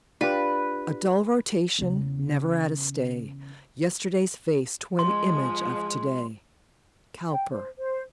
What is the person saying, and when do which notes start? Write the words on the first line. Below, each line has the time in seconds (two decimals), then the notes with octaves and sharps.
'A dull rotation, never at a stay, Yesterday's face twin image of to-day.' COWPER.
0.21 D4 F4 G4 B4
1.79 E2 C#3
4.99 F3 G#3 C6
7.31 G5
7.52 C5
7.78 C5